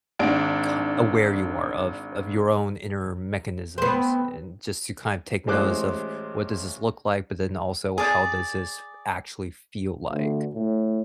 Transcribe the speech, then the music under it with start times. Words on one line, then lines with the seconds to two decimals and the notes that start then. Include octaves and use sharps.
c aware you are of of your own inner mechanisms and just to kind of take notice of what does this look like, but then also how does this actually feel like,
0.19 G#1 D4 D7
3.78 B3 C4
5.47 A1 G#3 C5 C6 D6 F#6
7.98 G#4 D5
10.09 D2
10.54 A2